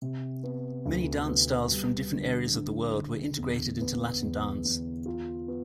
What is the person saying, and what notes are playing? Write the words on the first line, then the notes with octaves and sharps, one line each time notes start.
Many dance styles from different areas of the world were integrated into Latin dance.
C3
B3
D2
B3
G3
D3
D3
D3
E2
B3
E2
E2
F4
B3